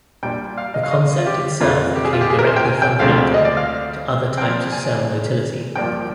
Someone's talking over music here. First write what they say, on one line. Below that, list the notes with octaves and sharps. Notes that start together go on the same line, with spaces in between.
The concept itself became directly fundamental to other types of cell motility.
A#2 G3 D4 G5
F5
D#5
F5
D#5
F4
G4
F2 D3 G#3 F4
G4
G#4
F4
G4
G#4
A#4
C5
G5
G#5
G5
D2 D3 F3 G#3 C4 F5
D#5
D5
F5
A#2 F3 C4 G5
G#5
G2 F3 A#3 D4 G5